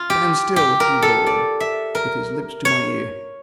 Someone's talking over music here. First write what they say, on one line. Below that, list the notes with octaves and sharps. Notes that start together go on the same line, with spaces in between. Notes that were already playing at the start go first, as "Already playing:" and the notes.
"Stand still," he roared, with his lips to my ear.
Already playing: F4
G4
G4
A#4
A4
D5
E5
A#4
C#5